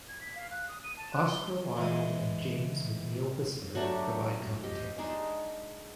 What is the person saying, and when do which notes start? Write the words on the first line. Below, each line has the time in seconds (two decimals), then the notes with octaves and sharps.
Oscar Wilde and James McNeill Whistler provide commentary.
0.08 G#6
0.21 B6
0.35 F5
0.51 F#6
0.69 D#6
0.84 D#7
0.97 A5
1.13 F#6
1.28 G7
1.77 E3 G#3
3.75 F#3 A3 D4 G4
4.63 G4 D#5
4.98 G#3 D4 D#4 G#4